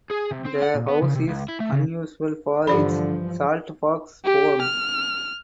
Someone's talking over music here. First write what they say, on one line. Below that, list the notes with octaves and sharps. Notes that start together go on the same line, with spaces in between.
The house is unusual for its saltbox form.
G#4
C3
C4
F#5
A#2
B3
C#3
C3
C#2
E4
A3
C#3
G2 D3 E3 F3 G4 D5 B5
G4
F6